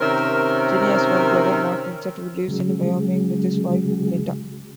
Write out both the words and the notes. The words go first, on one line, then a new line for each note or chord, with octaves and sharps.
Cheney has one brother, Mark Vincent, who lives in Wyoming with his wife, Linda.
C3 D#3 C#4 A#4 C5 E5
C#3 F#3 G#3